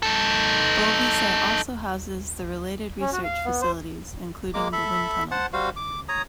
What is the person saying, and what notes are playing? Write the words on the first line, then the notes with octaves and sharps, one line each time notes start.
Bovisa also houses the related research facilities, including the wind tunnel.
D#4 A4
C#4
F#4
F5
B3
C5
G#3 A#3 D6
A4 E5 B5
C5 F#5 A5
G3 F#4 C5 F5
D6
C#5 A#5 D#6